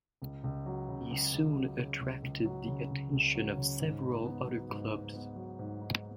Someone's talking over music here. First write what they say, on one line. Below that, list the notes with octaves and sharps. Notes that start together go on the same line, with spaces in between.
He soon attracted the attention of several other clubs.
C#2
C#2
F#3
C#3
C#2
C#2
F#3
C#3
C#2
C#2
F#3
C#3
C#2
C#2
F#3
C#3
G#2
D#4
B3
F#3
G#2
D#4
B3
F#3
G#2
D#4